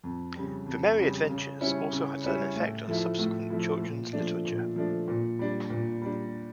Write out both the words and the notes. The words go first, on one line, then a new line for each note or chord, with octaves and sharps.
"The Merry Adventures" also had an effect on subsequent children's literature.
F2
C#3 G3
F2
C#3 G3
C#3
G3 C#4 E4
C#3
G3 C#4 E4
A2
F3 A3 E4
A2
F3 A3 E4
A#2
F3 A3 D4
A#2
F3 A3 D4
A#2
G3 D4
A#2
G3 D4